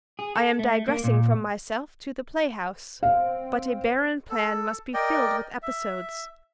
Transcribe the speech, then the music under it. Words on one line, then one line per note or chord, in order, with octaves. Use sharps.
I am digressing from myself to the play-house; but a barren plan must be filled with episodes.
G#4
A4
A3
A#3
A#2
C4 F5
A4
A#4 D5 D#5 G5
E5